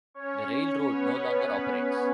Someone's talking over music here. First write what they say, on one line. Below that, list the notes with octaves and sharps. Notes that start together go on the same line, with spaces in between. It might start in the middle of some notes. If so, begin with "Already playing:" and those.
The railroad no longer operates.
C#4 C#5
C#4 C#5
B3 B4